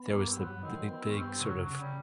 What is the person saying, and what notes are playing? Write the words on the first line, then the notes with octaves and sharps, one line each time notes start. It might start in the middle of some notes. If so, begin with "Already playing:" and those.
there was the big big, sort of,
Already playing: B3
G2 A#3
C4
F#3 B3
D#3 C4
B3
C4
C#4
G2 C4
C#3 F#3
F#3
C#3
G3